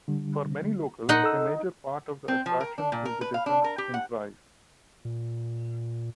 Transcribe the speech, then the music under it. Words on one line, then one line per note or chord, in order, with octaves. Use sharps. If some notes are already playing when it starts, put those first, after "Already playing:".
For many locals, a major part of the attraction is the difference in price.
D3 G3
A#2 D#4 F#5 C6
A4 E6
C4
F3
A#4
D4
A#2
A#4
B4
F5
D4
A#4
G4
F#5
A#2